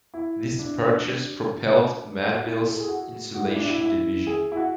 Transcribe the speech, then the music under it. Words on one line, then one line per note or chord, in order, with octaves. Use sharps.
This purchase propelled Manville's insulation division.
E4
D4
F#4
E4
A4
G#4
F#4
F#4
E4
D4
E4
E4
G#4
E4
F#4